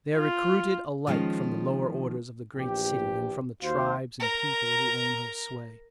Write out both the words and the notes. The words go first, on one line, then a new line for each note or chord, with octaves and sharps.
They are recruited alike from the lower orders of the great city and from the tribes and people who own her sway.
F4
D#3 F3 G#3 C#4 F4
A#1 E2 G4
D#2 F#4 C5 F5
A#4 A#5